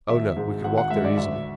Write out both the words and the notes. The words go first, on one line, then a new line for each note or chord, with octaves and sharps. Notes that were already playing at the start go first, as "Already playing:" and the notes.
"Oh, no, we could walk there easily."
G#1 E5
G#2 G#3
G#1 F#5
F#5
G#2 G#3 E5
D5
D2 E5